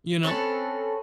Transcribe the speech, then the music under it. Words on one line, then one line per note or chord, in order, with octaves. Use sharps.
You know?
C4 C#4 A4 B4